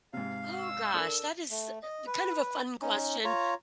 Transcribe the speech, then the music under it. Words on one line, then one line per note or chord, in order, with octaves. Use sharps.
Oh gosh. That is, uh, kind of a fun question.
G#2 C3 F5
E6
D4 A4 A#4
A3
D#5
B4
C#4 D#4
F4 C#5 A#5